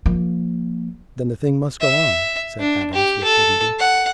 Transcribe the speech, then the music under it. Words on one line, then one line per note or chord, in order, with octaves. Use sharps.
"Then the thing must go on," said Adams, with dignity.
F3 A#3
E5
D4
G4
A4
F#5